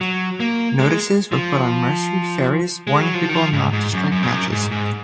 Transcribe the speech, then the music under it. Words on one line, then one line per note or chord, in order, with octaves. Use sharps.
Notices were put on Mersey ferries warning people not to strike matches.
F#3
A#3
G#3
F3
G#3
F#3
F3
D#3
F3
G#2
G#2
F#2
F#2
G#2
F#2
G#2
G#2